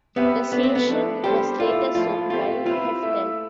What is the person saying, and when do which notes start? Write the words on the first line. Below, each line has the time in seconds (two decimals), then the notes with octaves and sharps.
The station was later sold by Heftel.
0.16 B3 C4 G4 B4 E5
0.52 A3 B3 D4 A4 D5
0.63 C4
0.75 B3
0.88 F3 A3 D4 A4
1.24 G3 B3 D4 G4 A4 C5
1.59 A3 E4 F4 A4 D5
1.95 A2 F3 A3 F4
2.30 A3 C4 F4 G4
2.66 C4 E4 F4 B4
3.02 A3 E4 A4 E5